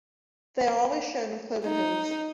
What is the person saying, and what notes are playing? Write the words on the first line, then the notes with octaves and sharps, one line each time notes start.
They are always shown with cloven hooves.
D#4